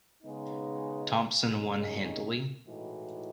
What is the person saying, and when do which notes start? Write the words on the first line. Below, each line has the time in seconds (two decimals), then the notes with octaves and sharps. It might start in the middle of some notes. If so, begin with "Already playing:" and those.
Thompson won handily.
0.23 C#3 G#3 B3 D#4
1.44 D#2 C#3 G#3 D#4 G#4
2.65 A2 E3 G#3 D#4 F#4